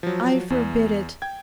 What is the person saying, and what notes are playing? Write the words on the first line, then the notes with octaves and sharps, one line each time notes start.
I forbid it.
F3 F#3
E2
G5 G#6